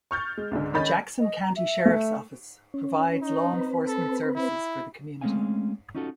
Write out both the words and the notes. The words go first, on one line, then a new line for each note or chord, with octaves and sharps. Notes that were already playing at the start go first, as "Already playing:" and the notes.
The Jackson County Sheriff's Office provides law enforcement services for the community.
C#6 F6 G6 A6
G#3
C#2 G#2 D3
D#3 C#4 D#5 B5 G6 A6
D#5
A#5
E5
A3
C#4
D#4
C4 B4
A4
E4
G#3 A3 C4 C#4 F5 G#5
C#4 D#4 F4 F#4 A4